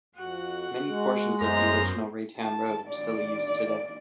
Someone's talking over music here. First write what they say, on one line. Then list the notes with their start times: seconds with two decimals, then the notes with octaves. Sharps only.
Many portions of the original Raytown Road still are used today.
0.15 F2 F#4 F#5
0.87 G#3
1.41 F#2 B3 C5 A#5
2.38 A5
2.89 D5